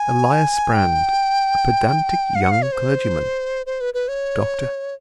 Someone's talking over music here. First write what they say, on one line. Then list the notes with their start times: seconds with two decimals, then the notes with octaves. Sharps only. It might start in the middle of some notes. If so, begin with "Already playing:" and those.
ELIAS BRAND, a pedantic young clergyman. DR.
Already playing: G#5
0.74 G5
2.35 F5
2.41 F#5
2.51 F5
2.62 C#5
2.72 C5
3.66 C5
3.81 B4
3.94 B4
4.08 C#5